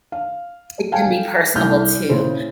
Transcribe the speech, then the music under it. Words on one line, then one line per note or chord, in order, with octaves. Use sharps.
It can be personable too.
F5
A4 F5 G5 G#5
C2 F6 G6
A#2 C#3 E4 C5